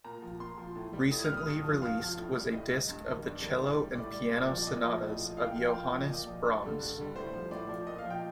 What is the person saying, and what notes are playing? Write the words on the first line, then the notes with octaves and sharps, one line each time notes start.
Recently released was a disc of the cello and piano sonatas of Johannes Brahms.
A#2 A#5
F3
A#2 C6
F3
A2
G3
A2 D#6
G3 F6
D#6
G2
F3
G2 F5
F3
A2
G3
A2 D#5
G3
G2
D#3 G3
G2 D5
D#3 G3
A2
G3
A2 D5
G3
A#2
F3
D5
A#2 D#5
F3
A2
F3
A2 F5
G5
F3 F5
G5
A#2 F5
F3
D#5
A#2 D5
F3
G2
D3 G3
G2
D3 G3
A2 C5
F3
A2 D5
F3
A#2 D#5
F5
F3
G5